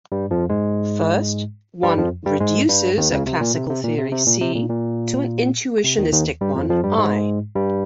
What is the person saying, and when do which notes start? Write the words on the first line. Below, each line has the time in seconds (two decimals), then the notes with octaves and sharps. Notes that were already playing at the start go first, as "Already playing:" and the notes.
First, one "reduces" a classical theory C to an intuitionistic one I.
0.12 G2 G3
0.31 F2 F3
0.49 G#2 G#3
1.83 G2 G3
1.98 F2 F3
2.26 G2 G3
2.40 G#2 G#3
2.69 G2 G3
2.97 D#2 D#3
3.12 C#2 C#3
3.26 C3
3.41 A#2
3.55 C3
3.69 C3
3.84 A#2
3.98 C3
4.12 C3
4.26 A#2
4.41 C3
4.55 A#2
4.69 A#2
5.84 C3
5.98 D#2 D#3
6.13 D#2 D#3
6.41 G2 G3
6.55 F2 F3
6.70 F2 F3
6.84 G2 G3
6.98 G#2 G#3
7.55 G2 G3